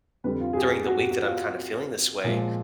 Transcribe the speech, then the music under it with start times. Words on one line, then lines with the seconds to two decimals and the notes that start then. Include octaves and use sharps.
during the week that I'm kinda feeling this way.
0.24 F2 D3 G3 B4
0.41 F4
0.53 G#4
0.57 G4
0.86 F#4
0.99 G4
1.11 F#4
1.23 F4
2.24 A#2 F3 G#3